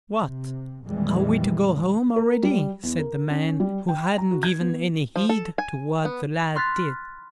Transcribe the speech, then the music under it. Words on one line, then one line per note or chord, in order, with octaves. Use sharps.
'What! are we to go home already?' said the man, who hadn't given any heed to what the lad did.
C3
F2 A#2 D#3 E3 G3 G#3
A#4
G3
E2
A#4
C#4
G3
G5
A#5
F#4
G#6
B3
F3
A4
G#5
B3
B5 C6 F6 F#6 A6 B6